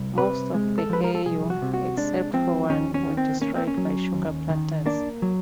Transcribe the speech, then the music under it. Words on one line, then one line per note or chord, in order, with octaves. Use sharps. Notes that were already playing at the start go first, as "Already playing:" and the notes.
Most of the heiau, except for one, were destroyed by sugar planters.
Already playing: C2
C3 B4
G#3
A4
F3 B4
A#4
A4
C2 G#4
F#4
C3
F#4
G#3 D4
F3 C4
D#2 C#4
C#4
D#3
C4
A#3 C#4
C4
C#4
F#3
D#2
D#3
A#3 D4
F#3